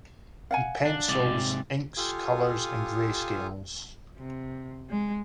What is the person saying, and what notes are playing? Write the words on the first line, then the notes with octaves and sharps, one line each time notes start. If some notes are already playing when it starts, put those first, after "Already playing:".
He pencils, inks, colors and greyscales.
F5 F#5 G#5
D4
G#2 C3 D5
F4 G4 A4 F5 G#5 D#6
C3
G#3